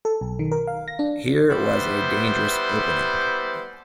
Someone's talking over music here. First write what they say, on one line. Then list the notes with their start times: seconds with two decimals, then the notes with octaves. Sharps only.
Here was a dangerous opening.
0.05 A4
0.21 B1
0.39 D#3
0.52 A#4
0.67 F5
0.88 A#6
0.99 D4
1.50 G3 B3 E4 C5